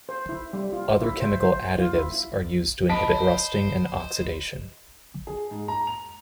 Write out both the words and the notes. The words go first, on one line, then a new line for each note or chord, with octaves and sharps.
Other chemical additives are used to inhibit rusting and oxidation.
C5
E4
G3
F4
E4
C5
C5
F4
E4
G4 B4 D#5 A5 B5 B6 D7
C5 C#5
G#4
G#2
A#5
F7